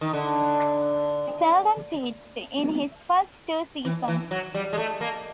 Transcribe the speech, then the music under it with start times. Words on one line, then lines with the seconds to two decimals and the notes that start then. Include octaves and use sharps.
He seldom pitched in his first two seasons.
0.01 D#3
0.13 D3
3.85 E3
4.08 E3
4.31 F#3
4.55 G3
4.73 G#3
4.78 A3
5.01 A#3